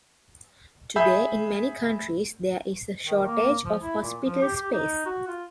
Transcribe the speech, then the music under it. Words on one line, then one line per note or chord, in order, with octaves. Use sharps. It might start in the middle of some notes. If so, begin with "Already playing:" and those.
Today in many countries there is a shortage of hospital space.
G#4 E5 B5 G6
D#3
A#3
F3
E4
A#2
F3
G4
G4
D#4
F#4
F4